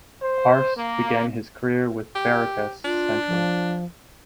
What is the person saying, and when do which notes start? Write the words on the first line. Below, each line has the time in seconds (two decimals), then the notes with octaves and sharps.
Arce began his career with Barracas Central.
0.23 C5
0.77 A#3
2.15 G4
2.85 D4 F4
3.28 F3